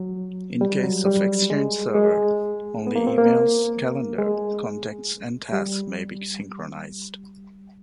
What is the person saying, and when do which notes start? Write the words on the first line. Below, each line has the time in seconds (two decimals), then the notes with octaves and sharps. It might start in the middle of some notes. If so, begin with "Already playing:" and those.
In case of Exchange Server, only emails, calendar, contacts and tasks may be synchronized.
Already playing: F#3
0.61 G3
0.83 F#3
1.05 G3
1.50 G#3
1.95 G#3
2.87 B3
2.96 A#3
3.07 C4
3.18 A#3
4.18 G#3
5.52 G3